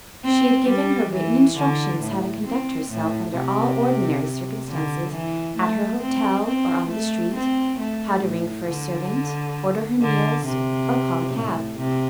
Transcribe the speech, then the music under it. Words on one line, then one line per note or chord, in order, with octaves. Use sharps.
She had given her written instructions how to conduct herself under all ordinary circumstances, at her hotel or on the street--how to ring for a servant, order her meals, or call a cab.
C4
G3
E3
D3
A2
C4
A2
C3
D3
E3
A3
C4
C4
A3
C4
A3
A2
D3
D3
C3
A2
C3